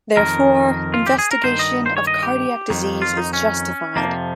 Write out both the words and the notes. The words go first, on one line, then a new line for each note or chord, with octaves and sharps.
Therefore, investigation of cardiac disease is justified.
F2 D#3 A#4
F4
G4
G#4
A#4
G2 D#3 C5
D#5
C5
C#5
D#5
G4
F2 D#3
F4
D#4
C#4
F2 C3 F3 A#3